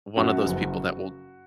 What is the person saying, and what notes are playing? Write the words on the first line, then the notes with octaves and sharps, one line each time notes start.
one of those people that will
F#2 F#4
F#1